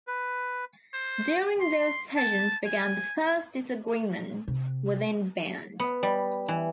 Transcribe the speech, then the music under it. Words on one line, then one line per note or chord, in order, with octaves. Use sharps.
During those sessions began the first disagreements within band.
B4
C5
C6
A5
G#5
C3
B3
G3
E3